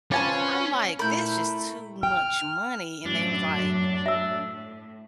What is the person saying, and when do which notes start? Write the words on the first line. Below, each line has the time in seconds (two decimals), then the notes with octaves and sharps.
I'm like, "That's just too much money" and they was like,
0.12 C4 C#4 F4 B4 D5 G#5 A5
0.99 A#2 A3 C4 E4 A#4 B5 G6
2.03 G5 F6
3.06 F#2 A2 F#3 A3 D4
4.06 A2 E5 E6